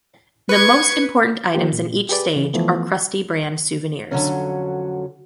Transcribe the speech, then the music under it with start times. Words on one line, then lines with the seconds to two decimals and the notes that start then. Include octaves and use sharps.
The most important items in each stage are Krusty-brand souvenirs.
0.49 B4 C#6 G#6
1.54 F3 A#3 F4 G4
1.72 A#2
2.09 G4 G#4 B4 D5
2.34 C#3 E3
2.54 E3 F3 A3 B3
4.11 F2 D3 F#3 C#4